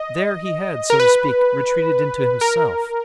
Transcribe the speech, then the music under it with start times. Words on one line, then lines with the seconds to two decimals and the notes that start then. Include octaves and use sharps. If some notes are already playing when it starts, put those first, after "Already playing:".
There he had, so to speak, retreated into himself.
Already playing: D#5
0.90 A#4
1.00 B4
2.41 A#4